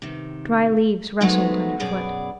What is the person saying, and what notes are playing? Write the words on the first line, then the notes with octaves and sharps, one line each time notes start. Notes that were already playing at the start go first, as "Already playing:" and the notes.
Dry leaves rustled under foot.
C3 D#3
F#3 G#3 A3 B3 D#4 C5
F#2 B2 B3 G#4 D5